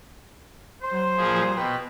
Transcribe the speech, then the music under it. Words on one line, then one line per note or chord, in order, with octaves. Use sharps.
Oh, yeah.
C5
A#2 F3 G#4
B2 B4 G5